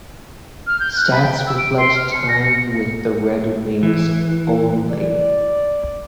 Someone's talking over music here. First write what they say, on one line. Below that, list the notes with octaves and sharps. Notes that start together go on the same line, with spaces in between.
Stats reflect time with the Red Wings only.
F6
G6
F#6
B5
G5
E6
D7
C6
F6
C#7
A#6
C#7
E3
D5